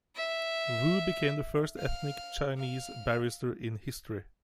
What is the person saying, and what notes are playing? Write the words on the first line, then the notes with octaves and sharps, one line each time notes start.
Wu became the first ethnic Chinese barrister in history.
E5
F5
F5